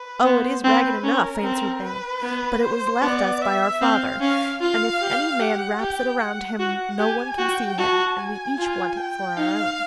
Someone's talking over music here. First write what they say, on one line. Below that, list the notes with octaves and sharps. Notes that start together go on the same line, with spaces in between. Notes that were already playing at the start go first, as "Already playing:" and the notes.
'Oh, it is ragged enough,' answered they, 'but it was left us by our father, and if any man wraps it round him no one can see him; and we each want it for our own.'
Already playing: B4
B3 C5
C4 B4
C#4 A#4
C4
B4
B3
C5
B3 D5
E5
C4 F5
C#4 F5
F4 F5
G4
G4 F#5
G4 G5
F#5
F#4 F#5
G4 G#5
F#4 G5
F#4 A5
G#5
F4
G5
D#4 F5